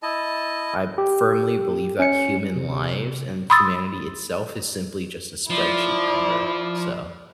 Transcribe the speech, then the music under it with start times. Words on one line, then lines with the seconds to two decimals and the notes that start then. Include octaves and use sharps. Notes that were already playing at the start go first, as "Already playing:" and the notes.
I firmly believe that human lives and humanity, itself, is simply just a spreadsheet number, so
0.03 E4 D#5 A5
0.98 G4
1.99 C#4 C#7
2.56 C3
3.50 B5 C6 D#6 E6 A6
5.50 F3 E4 D5